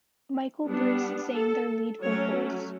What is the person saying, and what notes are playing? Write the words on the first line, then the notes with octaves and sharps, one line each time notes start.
Michael Bruce sang their lead vocals.
G3 B3 D4
A4
F#3 A3 C#4 C#5